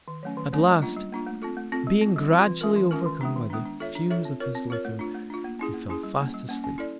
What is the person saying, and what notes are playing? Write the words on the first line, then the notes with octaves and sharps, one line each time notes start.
At last, being gradually overcome by the Fumes of his Liquor, he fell fast asleep.
D#3
F#3 A3 C#4
D#3
F#3 A3 C#4
G3
A#3 D4 F4
G3
A#3 D4 F4
A3
C4 F4 A4
A3
C4 F4 A4
G3
C4 F4
G3
C4 F4
E3
G#3 C#4 F4 A#4
E3
G#3 C#4 F4 A#4
D#3
G#3 B3 D4
D#3
G#3 B3 D4
D4
F4 A4 C#5 E5
D4
F4 A4 C#5 E5
C4
F4 A#4 C#5
C4
F4 A#4 C#5
A3
D4 F4
A3
D4 F4
A#3
C#4 E4 G#4
A#3
C#4 E4 G#4
G3
A#3 C#4
G3
A#3 C#4
C#4
E4 A4 D5